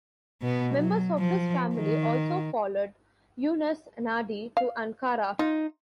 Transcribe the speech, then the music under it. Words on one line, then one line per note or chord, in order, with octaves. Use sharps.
Members of his family also followed Yunus Nadi to Ankara.
B2 B3
F#3
F3
D#3
F5
D#4 F4